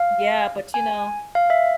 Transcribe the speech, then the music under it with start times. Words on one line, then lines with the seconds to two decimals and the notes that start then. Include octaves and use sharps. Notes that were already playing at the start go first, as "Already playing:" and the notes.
Yeah, but, you know,
Already playing: F5
0.74 G#5
1.35 F5
1.50 E5